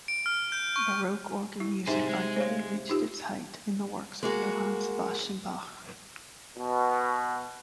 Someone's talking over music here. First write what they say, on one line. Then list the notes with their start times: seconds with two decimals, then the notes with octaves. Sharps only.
Baroque organ music arguably reached its height in the works of Johann Sebastian Bach.
0.08 D7
0.26 F6
0.52 G6
0.76 C#6
1.60 E4
1.87 C3 D#4 G#4 C5
2.09 G#3
2.36 C5 C#5 F5
2.90 D#4 F4 G4
4.23 G#3 A#3 F#4
6.57 B2